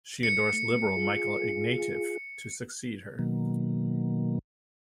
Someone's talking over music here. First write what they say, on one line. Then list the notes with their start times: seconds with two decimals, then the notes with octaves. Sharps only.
She endorsed Liberal Michael Ignatieff to succeed her.
0.23 C#7
0.53 A3
0.96 F4 G#4
3.19 B2 D#3 F#3 A#3